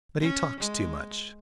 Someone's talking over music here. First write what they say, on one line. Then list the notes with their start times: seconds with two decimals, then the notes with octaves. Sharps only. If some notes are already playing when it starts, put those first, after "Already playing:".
"But he talks too much."
0.20 C#4
0.60 G#3